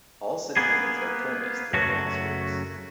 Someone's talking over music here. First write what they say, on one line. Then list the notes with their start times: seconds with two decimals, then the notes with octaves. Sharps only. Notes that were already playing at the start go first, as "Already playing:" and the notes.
All city names are Ptolemy's, throughout all his works.
0.56 A#3 B3 G#4
1.74 F#2 C#3 F#3 A3 F#4